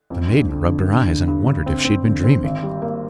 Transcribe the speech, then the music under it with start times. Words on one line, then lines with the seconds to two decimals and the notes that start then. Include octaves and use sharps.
The maiden rubbed her eyes and wondered if she had been dreaming.
0.10 F2
0.30 D3
0.49 D3
0.68 D3
0.88 G2
1.08 D3
1.27 G2
1.46 D3
1.66 C4
1.85 C4
2.05 D3
2.24 C4
2.44 G#1
2.63 G3
2.82 A#3